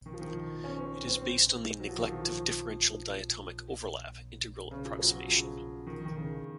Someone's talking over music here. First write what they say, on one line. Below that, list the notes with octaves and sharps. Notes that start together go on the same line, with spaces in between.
It is based on the Neglect of Differential Diatomic Overlap integral approximation.
D#3
F3
D#3
C#4
C4
C4
F#3
F3
D#3
F3
C#3
F3
F#3
F3
C#3
D#3
D#3
C#3